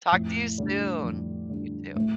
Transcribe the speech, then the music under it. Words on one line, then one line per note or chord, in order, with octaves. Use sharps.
Talk to you soon. You too.
F2 A2
D3 G3
F2
D3 G3
A2 A3